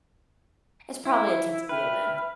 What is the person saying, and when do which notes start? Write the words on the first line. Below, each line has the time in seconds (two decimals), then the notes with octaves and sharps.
It's probably a tuxedo then.
1.05 E4
1.69 B4 E5 G5 F6